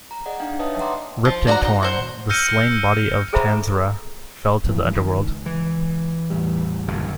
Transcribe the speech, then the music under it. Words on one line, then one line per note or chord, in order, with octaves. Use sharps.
Ripped and torn, the slain body of Tanzra fell to the underworld.
A#5
G#4 D5 D#5 F#5
D4 D#4 F5 G5
B4 C#5 D#5 E5 A5 D#6
E5 F#5 G5 A#5 C6 D6
F3
F#4 D5 E5 F#5 A#5
D#4
F#4 C5
E6 F6 G6 A#6 C#7 D#7
G#4 A4 C5 E5 A#5 B5
A#1 F2 E3
D#3
C#2
E3
E2 A2 G3
F#1 F#2 D3